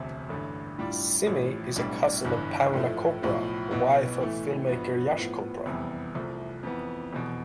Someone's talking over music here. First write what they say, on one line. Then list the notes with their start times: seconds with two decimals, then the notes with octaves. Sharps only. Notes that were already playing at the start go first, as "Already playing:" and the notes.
Simi is a cousin of Pamela Chopra, wife of film-maker Yash Chopra.
Already playing: E1 D2 C3
0.29 A1 G2 D3 A3
0.78 A2 G3 D4 F4
1.27 A1 A2 F3
1.76 B1 A2 G3 D4
2.25 G1 G2 E3
2.73 A2 F3 A3
3.22 B1 A2 F3
3.71 B1 B2 B3 E4
4.20 A2 E3 A3
4.69 G2 F3 B3
5.18 A2 F3 B3
5.66 F1 E2 C3 G3 B3
6.15 C2 C3 F3 A3
6.63 F2 E3 B3
7.13 F1 E2 B2